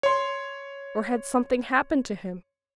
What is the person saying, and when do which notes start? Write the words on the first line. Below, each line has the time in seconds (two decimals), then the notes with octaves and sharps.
Or had something happened to him?
0.03 C#5 C6